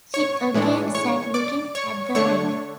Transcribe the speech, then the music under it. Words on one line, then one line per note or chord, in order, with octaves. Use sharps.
She again sat looking at the rain.
C#5 C#6
A2 E3 G#3 D4
C#5 C#6
D5 D6
C#5 C#6
D3 A3 D4 C#5 C#6